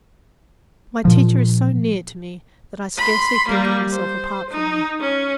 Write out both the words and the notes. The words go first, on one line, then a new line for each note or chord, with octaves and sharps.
My teacher is so near to me that I scarcely think of myself apart from her.
A#2 F3
B5 C6
G3 A#3
C5
D#4
C#4